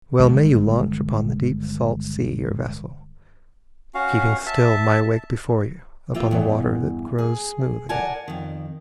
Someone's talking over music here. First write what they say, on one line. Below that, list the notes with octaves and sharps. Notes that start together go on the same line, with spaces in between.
Well may you launch upon the deep salt-sea Your vessel, keeping still my wake before you Upon the water that grows smooth again.
G1 D#3 G#3
C#4 F#4 F5
E5 A5
A#3 F4 G4 E5
E2 G2
G#4
A#4 D5 F#5 G#5 A5
F2 D#3